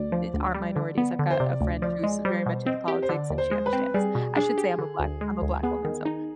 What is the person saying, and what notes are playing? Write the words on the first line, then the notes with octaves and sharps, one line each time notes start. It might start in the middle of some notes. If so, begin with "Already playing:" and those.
e aren't minorities, I've got a friend who's very much into politics, and she understands. I should say I'm a black I'm a black woman, so
Already playing: D2 D5
F3
D2
G3
D3
B3
D3
C5
C3 D5
D2
F3 D5
G#3
G3 C5
B2
C4 D#5
G4
C5
D3 D5
D#2
C5
G#3
B4
C4
G3 G#4
B2
D4 G#4
G4
D3
D2
G#3
D2
B3 G#4
D#3
D#4